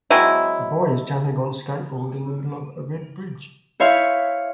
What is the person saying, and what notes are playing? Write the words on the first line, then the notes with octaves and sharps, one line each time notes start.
A boy is jumping on skateboard in the middle of a red bridge.
F#3 G#3 C4 E4
E4 C5 C#5 E5 F5